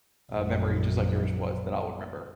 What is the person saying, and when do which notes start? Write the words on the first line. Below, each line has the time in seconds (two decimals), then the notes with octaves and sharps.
uh, memory just like yours was that I'll remember.
0.32 A#1 F#2